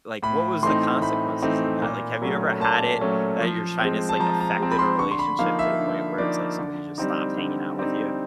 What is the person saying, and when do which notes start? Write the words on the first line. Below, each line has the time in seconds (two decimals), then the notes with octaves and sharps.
like, what was the consequences of that? Like, have you ever had it that your shyness, like, affected a relationship to the point where it's like somebody just stopped hanging out with you?
0.23 A2 B5
0.63 E3 A3 C4 D#4 C6
1.02 A2 B5
1.42 E3 A3 C4 D#4
1.82 A#2
2.22 F#3 A3 C#4
2.61 A#2 A5
3.01 F#3 A3 C#4
3.41 F3
3.80 G#3 C4
4.09 A5
4.20 F3 A#5
4.40 A#5
4.59 G#3 C4
4.72 B5
4.79 C6
4.99 D3 C#6
5.11 C6
5.19 B5
5.39 F3 A#3 D#4 F5
5.59 E5
5.79 D3
6.18 F3 A#3 D#4 D5
6.59 D3
6.98 G3 C4 D#4
7.37 D3
7.78 G3 C4 D#4